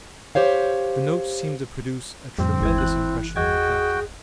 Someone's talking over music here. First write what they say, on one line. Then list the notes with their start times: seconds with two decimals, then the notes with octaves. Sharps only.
The notes seemed to produce a tremendous impression on the captain.
0.35 G4 C5 C#5 F5
2.39 F2 A2 F3 G3 C4
2.61 G1 D#2 G#3 E4 G#6
2.78 E3 F#6
3.36 E2 F#4 G#4 D#5 G5 G#6